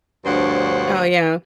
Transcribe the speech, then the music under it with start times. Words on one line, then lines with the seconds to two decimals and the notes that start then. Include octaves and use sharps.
Oh, yeah.
0.25 D2 G2 F3 C5 C#5 F#5